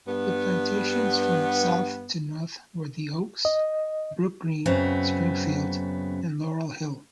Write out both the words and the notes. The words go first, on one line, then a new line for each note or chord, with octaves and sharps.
The plantations from south to north were The Oaks, Brookgreen, Springfield, and Laurel Hill.
G2 B3
D#5
F#2 C#3 B3 C4